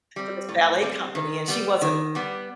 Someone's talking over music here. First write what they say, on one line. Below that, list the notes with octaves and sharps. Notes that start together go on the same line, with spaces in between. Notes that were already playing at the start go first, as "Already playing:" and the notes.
for this ballet company, and she wasn't,
G3 C4
A2
G3 C4
D#3
G3 B3
D#3
G3 B3